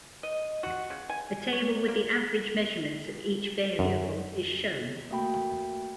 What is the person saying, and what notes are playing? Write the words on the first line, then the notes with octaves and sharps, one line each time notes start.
A table with the average measurements of each variable is shown.
D#5
F#4
C#3
G#5
C#5
A#3
F#2
A3 A#3 F#4 G5 B5